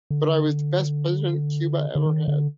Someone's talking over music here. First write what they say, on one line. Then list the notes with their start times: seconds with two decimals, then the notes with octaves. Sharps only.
But I was the best president Cuba ever had.
0.10 D3
1.95 D3
2.06 D#3
2.28 D3